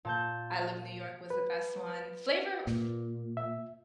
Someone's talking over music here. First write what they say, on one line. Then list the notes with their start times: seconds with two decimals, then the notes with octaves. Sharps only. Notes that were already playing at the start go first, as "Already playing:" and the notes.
I Love New York was the best one. Flavor Fl
0.05 A#2 A5 G6
1.30 B4
2.67 A#2
3.37 E5